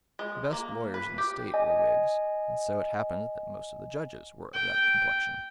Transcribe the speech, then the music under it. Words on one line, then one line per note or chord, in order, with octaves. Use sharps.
The best lawyers in the State were Whigs, and so it happened that most of the judges were of that complexion.
G#3
A#3
B4
G4
D#5 G#5
G5